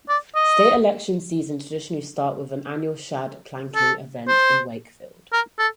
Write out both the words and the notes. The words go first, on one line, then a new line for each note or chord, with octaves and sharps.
State election seasons traditionally start with the annual Shad Planking event in Wakefield.
D5
D#5
A4
C5
A#4
A4